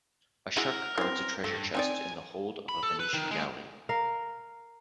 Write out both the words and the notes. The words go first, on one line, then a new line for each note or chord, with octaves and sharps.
A shark guards a treasure chest in the hold of a Venetian galley.
G#3 E4 F#4 A#4
E3 C4
G2 A3
C4 D#4 D5 G#5
B5
A4
B4
D#3
G#3
A#4 F5